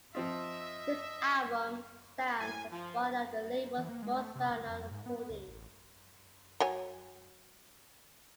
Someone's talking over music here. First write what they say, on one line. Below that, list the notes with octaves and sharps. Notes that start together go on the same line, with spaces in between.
This album stands as one of the label's most well-known recordings.
F3 C4 F4 D#5 E5
A2 G#5
F3
E3
A#3
G#3
A3
C3
C#2
F2
G#2
B3
C#2
A1
F#3 C#5 G#5